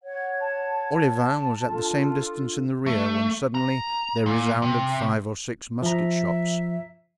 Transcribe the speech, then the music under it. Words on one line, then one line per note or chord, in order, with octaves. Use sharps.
Olivain was at the same distance in the rear, when suddenly there resounded five or six musket-shots.
C#5 F#5 G#6
A5
D4 F4 A4
A3
A#5
A#2
C3
F3 E5 A#5